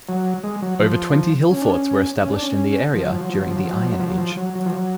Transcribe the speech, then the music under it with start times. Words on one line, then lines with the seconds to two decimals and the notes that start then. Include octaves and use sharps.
Over twenty hillforts were established in the area during the Iron Age.
0.09 F#3
0.43 G#3
0.62 F#3
0.79 F3
1.51 C#4
1.62 D4
1.69 C#4
2.22 C#4
2.32 D4
2.43 C#4
2.94 F3
3.03 F#3
3.12 F3
3.21 F#3
3.29 F3
3.38 F#3
3.47 F3
3.56 F#3
3.64 F3
3.73 F#3
3.82 F3
3.91 F#3
4.00 F3
4.08 F#3
4.18 F3
4.37 F#3
4.55 F#3
4.66 F3
4.72 F#3